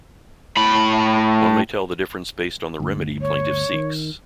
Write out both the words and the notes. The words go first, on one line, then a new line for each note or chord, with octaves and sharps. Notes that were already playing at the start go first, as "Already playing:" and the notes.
One may tell the difference based on the remedy plaintiff seeks.
A2 B5
G1 D2
C#5
D#3